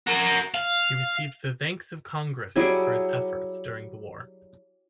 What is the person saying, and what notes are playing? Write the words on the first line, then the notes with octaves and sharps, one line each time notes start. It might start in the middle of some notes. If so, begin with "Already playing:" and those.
He received the Thanks of Congress for his efforts during the war.
F#4 A#4
F5
F#3 G3 E4 G#4